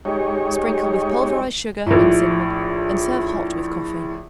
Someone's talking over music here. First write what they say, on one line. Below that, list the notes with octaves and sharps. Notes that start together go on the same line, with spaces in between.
Sprinkle with pulverized sugar and cinnamon and serve hot with coffee.
G#3 D#4 G4 C#5
A#1 A2